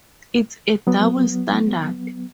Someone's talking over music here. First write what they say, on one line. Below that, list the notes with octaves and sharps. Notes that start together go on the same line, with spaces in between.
It's a double standard.
F#3 B3